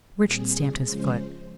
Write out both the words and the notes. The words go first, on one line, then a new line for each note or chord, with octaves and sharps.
Richard stamped his foot.
A#2 G3 C4 G#4
C#3 F3 G#3 C#4 C5